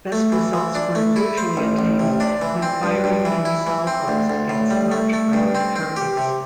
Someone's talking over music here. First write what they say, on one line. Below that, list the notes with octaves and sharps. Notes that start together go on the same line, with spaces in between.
Best results were usually attained when firing in salvos against large ground targets.
A3
E3
E3
D4
A3
E4
C5
A1
A1
C3
D4
E3
C4
G2
G2
E3
E4
E3
C4
D2
D2
A2
G3
A3
A3
G2
C4
C4
G4
C3